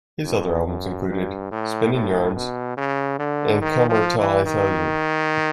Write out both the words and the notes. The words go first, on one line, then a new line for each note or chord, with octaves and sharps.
His other albums included "Spinnin' Yarns" and "Come 'er till I tell You".
F2
F#2
G2
A2
A2
B2
C#3
D3
D#3
F3
E3
D#3